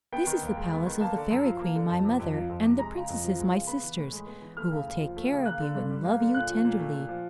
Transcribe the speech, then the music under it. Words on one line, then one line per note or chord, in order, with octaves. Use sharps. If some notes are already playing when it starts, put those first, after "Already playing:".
This is the palace of the fairy-queen my mother, and the princesses my sisters, who will take care of you, and love you tenderly.
B3 G5
D#3
D#2
G#3
B3
D#3
A#3 A5
D3
F#2
F3
A#3
D3
F2 A5
C3
F2
F3
F2
C3
G#3 A#5
C#3
F2
F3
G#3
C#3
B3 B5
E3
A2
G#3
B3
E3
A3 F6
C#3
D#2
F3
A3
C#3
A#3 F#6
D3
G2
G3
A#3
D3
A#2 F#6
F3
A#2
A3
A#2
F3